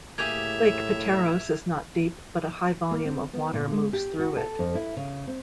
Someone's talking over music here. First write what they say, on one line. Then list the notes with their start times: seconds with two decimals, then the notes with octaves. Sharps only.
Lake Pateros is not deep but a high volume of water moves through it.
0.18 A2 A#3 G4 G#4 E5 G#6 F7
2.91 A#3
3.05 C4
3.33 B3
3.53 A#2
3.71 G#3
3.93 G4
4.19 F#4
4.36 A4
4.59 F2
4.75 E4
4.97 C#3
5.27 C4